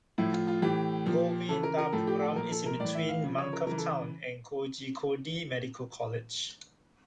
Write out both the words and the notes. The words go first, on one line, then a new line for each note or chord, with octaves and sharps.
Govindapuram is in between Mankav town and Kozhikode Medical College.
A2 F3 E4
F4
F4
A2 E3 G4
A#2 F3
C#3 E3 A4
A#4
A#4
A2 F3 A4
G4
A4
A#2 F3 A#4
A4
A#4
A2 E3 D5
E5
F5
C#3 F3
C#5
A#4
C#3 E3 A#4
A4